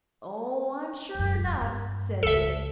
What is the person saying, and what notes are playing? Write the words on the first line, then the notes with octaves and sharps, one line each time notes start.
"Oh, I'm sure enough," said Dick.
E1 F#2
G2
C#2 C#3 A4 E5